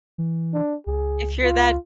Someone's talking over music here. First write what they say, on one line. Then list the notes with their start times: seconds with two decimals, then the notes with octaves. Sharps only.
If you're that
0.18 E3
0.54 D4
0.87 C#2 G#4
1.44 F4